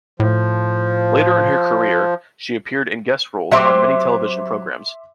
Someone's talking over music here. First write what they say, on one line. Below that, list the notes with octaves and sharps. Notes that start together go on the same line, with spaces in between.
Later in her career, she appeared in guest roles on many television programs.
A2 F3
F#3 C4 G4 E5 C6 D6